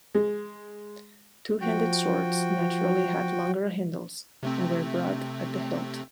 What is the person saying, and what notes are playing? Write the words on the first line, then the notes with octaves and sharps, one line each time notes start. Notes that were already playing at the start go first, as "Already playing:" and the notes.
Two-handed swords naturally had longer handles and were broad at the hilt.
G#3
F3 F#4 G5
C3 A3 C4